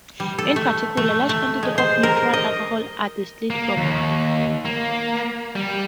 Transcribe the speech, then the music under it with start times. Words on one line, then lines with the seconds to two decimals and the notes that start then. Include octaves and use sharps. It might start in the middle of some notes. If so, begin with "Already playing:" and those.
In particular, large quantities of neutral alcohol are distilled from wine.
0.20 G3
0.39 A4
0.56 A3
0.97 A3
1.29 A3
1.63 G#3
1.78 C5
2.03 A#4
2.34 D#5
3.50 A#3
3.77 D#2
4.65 A#3
5.56 G3